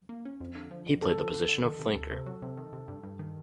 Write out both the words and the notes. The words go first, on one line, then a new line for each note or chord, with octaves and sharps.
He played the position of flanker.
A#3
C#4
F2
D3
F3
F2
D3 A4
F3
D3
D3
D#3
C3
D2
C3
F#3
C3
D#3
C3
G2
G2
D#3